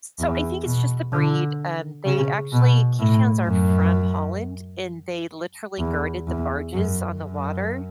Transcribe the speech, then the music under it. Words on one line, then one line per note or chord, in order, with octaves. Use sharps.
so, I think it's just the breed, um, they actually Keeshonds are from Holland, and they literally guarded the barges on the water,
E2
B2
D3
C#3
B2
A2
F#2
E2
E2
F#2
F#2